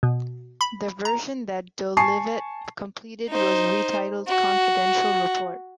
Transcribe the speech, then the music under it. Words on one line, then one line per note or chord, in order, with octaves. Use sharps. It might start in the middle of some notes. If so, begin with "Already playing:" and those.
The version that Dolivet completed was retitled "Confidential Report".
B2
B5
A#5
G#5 A5 C#6 C7
D#4 C5
F#4